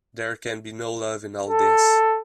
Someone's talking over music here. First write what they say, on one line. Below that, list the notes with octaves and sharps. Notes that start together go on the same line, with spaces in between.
There can be no love in all this.
A4